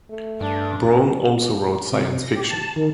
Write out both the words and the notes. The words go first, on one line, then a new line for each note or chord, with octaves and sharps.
Braun also wrote science fiction.
A3
G2 D4
C3
A#6
G4
A5
D#3